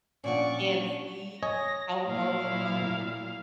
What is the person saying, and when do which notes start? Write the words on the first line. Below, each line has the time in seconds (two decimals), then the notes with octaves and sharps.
and see w how far we've come.
0.24 A#2 F3 C#4 D4 D5 F#5 C#6
1.43 C#5 D#5 G#5 A#6
2.07 A#2 F#3 E4 F5